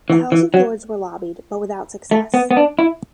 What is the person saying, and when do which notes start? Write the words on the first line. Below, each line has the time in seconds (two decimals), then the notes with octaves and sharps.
The House of Lords were lobbied, but without success.
0.10 E3
0.32 E3
0.54 F#3
2.11 A3
2.34 B3
2.51 B3
2.57 D4
2.79 E4